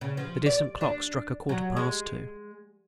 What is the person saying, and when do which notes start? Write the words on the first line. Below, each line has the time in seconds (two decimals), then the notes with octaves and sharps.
The distant clock struck a quarter-past two.
0.01 C#3
0.17 F3
0.46 D5
0.81 D4
1.49 F#3
1.77 G#3